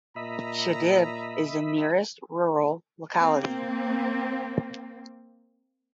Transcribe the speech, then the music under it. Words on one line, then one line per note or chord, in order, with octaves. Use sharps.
Shidib is the nearest rural locality.
A#2 D#5 E5 A#5 B5
A#3 C4